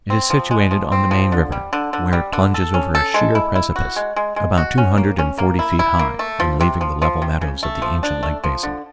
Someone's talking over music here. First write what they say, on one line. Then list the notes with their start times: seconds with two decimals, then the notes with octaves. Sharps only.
It is situated on the main river, where it plunges over a sheer precipice, about two hundred and forty feet high, in leaving the level meadows of the ancient lake basin.
0.10 C4
0.30 F3
0.51 G#3
0.71 F3
0.92 C4
1.11 F3
1.32 D3
1.52 G3
1.73 D3
1.93 D3
2.13 G3
2.33 D3
2.54 A4
2.74 C#4
2.95 A4
3.14 G#3
3.35 E4
3.55 E4
3.76 F#4
3.96 G#3
4.16 G#3
4.36 G#3
4.57 F#4
4.78 C#4
4.98 A#3
5.19 C#4
5.38 A#3
5.59 E4
5.79 E4
5.99 A#3
6.19 A3
6.40 F3
6.61 C3
6.81 F3
7.02 F3
7.22 C3
7.41 C#3
7.63 A3
7.82 F3
8.03 D4
8.23 A3
8.44 F3
8.63 D3